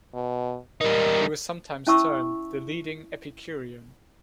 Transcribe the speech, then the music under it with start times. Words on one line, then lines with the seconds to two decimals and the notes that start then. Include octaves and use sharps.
He was sometimes termed the leading Epicurean.
0.14 B2
0.81 G3 D#4 A#4
1.87 C#4 E4 E5 A5 C#6 E6